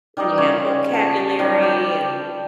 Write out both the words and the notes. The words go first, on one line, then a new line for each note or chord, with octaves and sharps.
And you have vocabulary and
D#3 G3 D5 D#5
C#3 C#5 C6
F3 A5
D#3 F3 G3
G5 D6